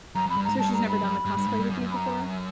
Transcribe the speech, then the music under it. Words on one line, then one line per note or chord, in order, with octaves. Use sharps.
So she's never done the cosplay with you before?
F#2 A#5
F2 B5
G2
G#2 A#5
G2 A5
A#5
B5
F#2
G2
G2
G#2
G2
F#2
F#2
B5
A#5